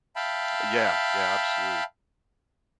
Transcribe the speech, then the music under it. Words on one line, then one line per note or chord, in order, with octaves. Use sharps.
Yeah. Yeah, absolutely.
E5 F5 G5 A5 B5